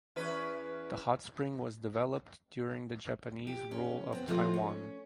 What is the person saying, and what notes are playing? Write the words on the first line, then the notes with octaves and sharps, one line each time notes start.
The hot spring was developed during the Japanese rule of Taiwan.
E2 C#4 B4
G4
C#4
B3 C4
F3 G#3 A3 C4 F4
C#4